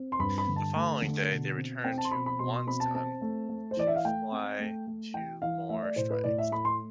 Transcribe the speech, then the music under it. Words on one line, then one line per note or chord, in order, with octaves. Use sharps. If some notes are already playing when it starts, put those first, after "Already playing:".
The following day they returned to Wonsan two fly two more strikes.
Already playing: C4
C6
G2 B5
B5
D3
A5
A3
D3
B2
C4
C4 G5
A5
C6
B2 B5
B5
B2 C6
C6
C4 B5
A5
C4 A5
A3
A3
C5
E3 D5
E5
F5
A3 G5
C4
A3
A3
E3 G5
E3 F5
A3 E5
D5
A2 C5
B4
A2 D5
E5
A3 B5
C6